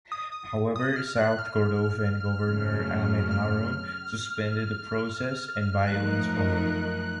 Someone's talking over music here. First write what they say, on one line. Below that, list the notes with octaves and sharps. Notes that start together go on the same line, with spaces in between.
However, South Kordofan governor Ahmed Haroun suspended the process and violence followed.
D#6
D#6
D#6
F6
F#6
F6
F#2 C#3 A3
F6
F#2 F3 A3 D#4 A#4 F#6